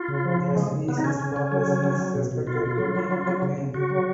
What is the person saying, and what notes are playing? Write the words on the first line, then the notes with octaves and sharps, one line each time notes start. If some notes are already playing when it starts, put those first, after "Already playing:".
The species’ population is suspected to be in decline.
Already playing: F4
C#3
F3
C#3
C#3 G#3
C#3
C#3 B3
D#4
C#3 C#4
C#3
C#3
F#3
C#3
F#3
F#3
B2
B2
B2 F4
B2
F#3
F#3
F#3
F#3
C#3
C#3
C#3 F#4
F#3